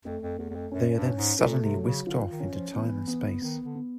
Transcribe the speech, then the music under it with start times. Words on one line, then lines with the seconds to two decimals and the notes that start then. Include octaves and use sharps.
They are then suddenly whisked off into time and space.
0.05 F2 A3
0.22 F2
0.38 E2 A3
0.50 E2
0.55 F2
0.72 F#2 C#4
0.94 G2
1.06 C#4
1.17 G#2
1.39 A#2 A3
1.62 C3
1.73 F#3
1.85 C#3
2.07 D3 F4
2.30 D#3
2.40 C#4
2.52 F3
2.74 E3 B3
3.08 B3
3.42 D#3 B3
3.64 D3
3.75 B3